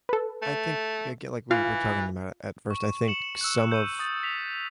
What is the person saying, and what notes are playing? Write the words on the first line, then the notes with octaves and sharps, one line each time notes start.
I think I get like we were talking about it at first. I think some of
A4 B4
A3
E3 F4 F5 F6
C#6
C#7 E7 F#7
E6 F#6
G6 D#7
D#6 A6
B6 F7